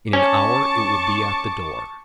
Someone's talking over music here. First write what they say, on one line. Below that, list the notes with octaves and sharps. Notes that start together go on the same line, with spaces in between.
"In an hour it will be at the door."
C#4 A5 C#6 D6